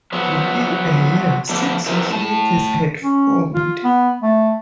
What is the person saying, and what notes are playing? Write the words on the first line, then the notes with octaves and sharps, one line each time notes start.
Within a year, six societies had formed.
F3 F#3 B3
D3 F3 A3 B3 D4
D#3 F3 C4 E4 A#4 B4
A2 A5
C#4
F4
B3
A3